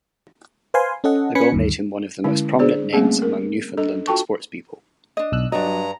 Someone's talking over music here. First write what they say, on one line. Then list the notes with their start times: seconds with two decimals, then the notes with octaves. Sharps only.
The goal made him one of the most prominent names among Newfoundland sportspeople.
0.74 B4 C5 F5 G#5 C6
1.04 C#4 A4 D#5 F#5
1.35 C#4 B4 G#5 B5 C#7
1.52 D2 G2 D#3
2.24 D3 G#3 C#4 E4
2.59 D4 G#4 C5 D5
2.93 G3 A3 A#3 C4 C#4 G#4
3.22 A#4
3.77 D4 A4 D#5
4.07 F4 F#4 A4 G5 A5 C#6
5.17 D4 D#5
5.32 B1 E6 F#6
5.52 G2 F#3 D4 F#4 D#5 A#5